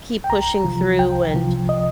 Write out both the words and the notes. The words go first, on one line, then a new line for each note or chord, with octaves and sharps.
keep pushing through, and
G5
C2 A#5
C3 F3
C2 G5
C3 F3
D#5